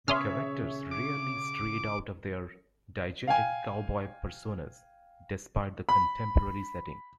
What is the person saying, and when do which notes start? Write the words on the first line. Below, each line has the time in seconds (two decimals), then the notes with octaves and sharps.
The characters rarely strayed out of their diegetic cowboy personas, despite the contemporary setting.
0.08 C#3 G#4 C#5 E5 C6 D#6 F6
0.91 D6
3.27 F5 G5 G#5
5.89 B5